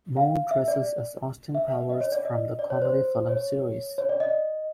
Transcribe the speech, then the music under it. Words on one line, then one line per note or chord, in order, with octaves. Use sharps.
Moe dresses as Austin Powers from the comedy film series.
F5
E5
D5
E5
D#5
C#5
D5
D#5
D5
C#5
C5
C#5
C#5
D5
D#5